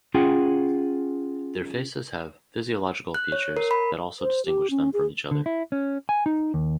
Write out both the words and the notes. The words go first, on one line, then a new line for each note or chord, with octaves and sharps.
Their faces have physiological features that also distinguish them from each other.
C#4 F4 G#4 F#5 G5
F#6
C#5
A#4
B5
C5
G4
C#4
G#4
D3
E4
C#4
G#5
D#4
D#2